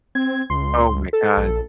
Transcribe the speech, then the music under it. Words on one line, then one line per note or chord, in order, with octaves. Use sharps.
Oh my god.
C4 G#6
C#2 C6
A4
A#1